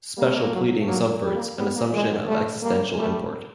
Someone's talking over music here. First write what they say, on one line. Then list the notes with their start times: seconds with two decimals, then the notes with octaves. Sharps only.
Special pleading subverts an assumption of existential import.
0.17 G3 A#3
0.27 A3
0.37 A#3
0.52 F#3
0.79 A3
0.88 F#3 A#3
1.23 G3
1.35 A#3
1.57 G3 B3
1.75 A#3
1.93 E3 G#3
2.10 F#3
2.27 G3 A3
2.63 G3 A#3
2.90 G#3
2.98 G3 A3